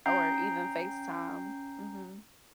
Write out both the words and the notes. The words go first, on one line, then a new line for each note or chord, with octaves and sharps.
or even FaceTime. Mhm.
C#4 G5 A#5 G6 C7